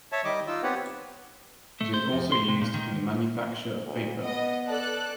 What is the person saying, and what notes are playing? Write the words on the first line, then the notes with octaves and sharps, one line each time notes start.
It is also used in the manufacture of paper.
C#5 E5 A5
D#3 G3 D#5 D6
D#4 F4 E6
B3 C4 G4 B4 C#5 F#5
A3
C5
F2
C6
C3
A#2
D#3
D2
B3 D#5
A4 D5 F#6